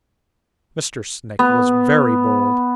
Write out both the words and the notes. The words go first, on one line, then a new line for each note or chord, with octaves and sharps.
Mr. Snake was very bold.
B3